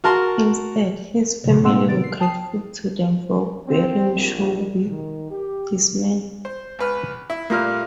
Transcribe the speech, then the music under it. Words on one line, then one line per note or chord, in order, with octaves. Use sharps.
Instead, his family were grateful to them for burying Shaw with his men.
F#4 A#4 A5 C6
A2 A#3 C4 F#5 C6 E6
C3 D#3 B3 A6 D7
C7
G5 A5 D#6 C7
C4
A#1
D#3
G4
C5
C#2 B4 F6
E4
A#2 G3 A3 A#3 F4 F6